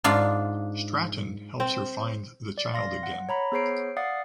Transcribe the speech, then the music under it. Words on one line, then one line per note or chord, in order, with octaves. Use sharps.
Stratton helps her find the child again.
G#2 D4 F4
C4
D5
F5 C6 A#6
F#5
C#5 A#5 B5
B3 G#4 C5 C#5 C7 D7
D5 F5 F#5 D#6 A6 C7